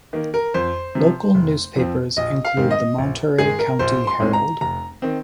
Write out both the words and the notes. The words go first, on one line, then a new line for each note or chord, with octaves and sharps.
Locale newspapers include the "Monterey County Herald".
D#3 A#3
A#4
F2 C5
C3 F3
F1
F2 F3 C4
A#1 D#5
F5
G#2 D#3 C4
D#5
A#1
G#2 D#3 G#3 G#4
A#4
A#1 C5
C6
G#2 G#3 C4
A#5
F1 A#5
D#3 C4